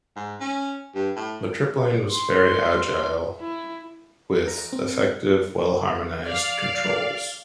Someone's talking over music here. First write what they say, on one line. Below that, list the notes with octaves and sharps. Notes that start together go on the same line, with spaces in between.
The Triplane was very agile, with effective, well-harmonised controls.
G#2
C#4
G2
A2
C6
E4
A#5
C4
D5 F5